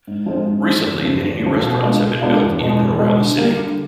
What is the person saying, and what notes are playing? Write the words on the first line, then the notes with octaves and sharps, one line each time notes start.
Recently many new restaurants have been built in and around the city.
G#2
F3 G#3 C4
G#2
F3 G#3 C4
E2
C#3 F3
E2
C#3 F3
B2
G#3 B3 D4 F4
B2
G#3 B3 D4 F4
E2
B2 G#3
E2
B2 G#3
D3
G3 A#3
D3